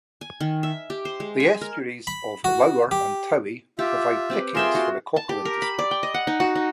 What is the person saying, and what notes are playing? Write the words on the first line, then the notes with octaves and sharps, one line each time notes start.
The estuaries of the Loughor and Towy provide pickings for the cockle industry.
G#5
D#3
E5
G4
C5
G#3
G#5
A#4
B5
F#4
G4
F4 G4 E5
C4 G4 B4
F4 G#4 A#4 E5 G5 C6
F#4
A5
G4
A#4
B5
D5
G5
D#5
F#5
D#4
F#4
D#4